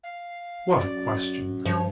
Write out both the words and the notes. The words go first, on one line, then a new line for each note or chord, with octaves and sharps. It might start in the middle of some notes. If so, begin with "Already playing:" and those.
"What a question!"
F5
F#2 D5
G2 F3 C#5